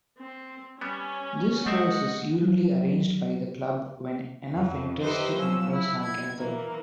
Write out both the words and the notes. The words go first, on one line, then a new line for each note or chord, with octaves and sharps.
This course is usually arranged by the club when enough interested members have gathered.
C4
G3 B3 C#4
G#3 A3 C4 D#5 E5 F#5
F#3
F2
D#4 G4 B4 C5 E5
F3 F#3 C#4 E6
E4
G#6
E3 A#3